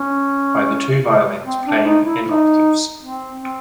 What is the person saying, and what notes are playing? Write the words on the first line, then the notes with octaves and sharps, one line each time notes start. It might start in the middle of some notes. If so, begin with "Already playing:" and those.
By the two violins playing in octaves.
Already playing: C#4
C4
D4
D#4
E4
D#4
C4
C4